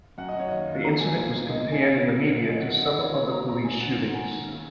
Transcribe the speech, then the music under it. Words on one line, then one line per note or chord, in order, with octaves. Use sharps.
The incident was compared in the media to several other police shootings.
F#2 F#5
D#5
F#2
C#5
D#2 D#5
D#2
A#3 A#5
C#2 G#5
A#2
A#2
A#3 D#5
D#5
D#3 G#5
A#3
A#3
F#3
D#2
F#2 D#5
F#5
G#3
F#5
D#2 D#5
D#3 C#5
A#3 C#5
C#2 A#5
G#2 A#5
G#2 G#5
D#3 F#5
G#2 F#5
A#3 G#5
D#3
C#3